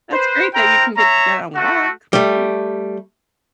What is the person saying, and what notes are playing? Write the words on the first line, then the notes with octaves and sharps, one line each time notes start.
That's great that you can get get out and walk. Shoot.
B4 C5
E4 A#4 C5 G5 A#5
C#5 E5 A#5
A3 F#4
G3 A3